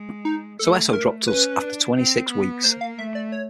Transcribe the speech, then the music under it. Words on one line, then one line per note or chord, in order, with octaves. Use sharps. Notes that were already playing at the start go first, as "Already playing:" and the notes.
So Esso dropped us after twenty-six weeks.
Already playing: G#3
D#4
A3 A4
A#4
C#4 B4
D4
C4
B3
A#3 C5
F5
A3 E5
D5
C#5